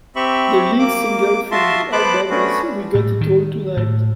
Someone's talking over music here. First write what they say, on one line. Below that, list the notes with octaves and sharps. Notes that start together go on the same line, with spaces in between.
The lead single from the album is "We Got It All Tonight".
C4 G4 E5 B5 C#6
A#3 D6
F4 F#4 E5 A5 C6
B3 C5 A5 B5 D6 F#6
A3 B3 C#4 D4 F#4
A2
D#3
A2